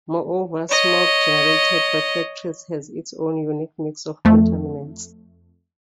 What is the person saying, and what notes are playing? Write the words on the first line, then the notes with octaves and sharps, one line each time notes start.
Moreover, smog generated by factories has its own unique mix of contaminants.
C#5 D#5
F2 A3